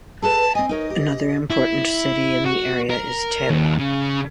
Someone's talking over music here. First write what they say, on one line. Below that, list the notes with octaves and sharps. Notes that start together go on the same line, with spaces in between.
Another important city in the area is Tela.
G#4 A4 B4 A5
C4 D#5 G#5
D#4 A#4 C#5 D#5
G4
E4
F#4
A#4
D#2
C#3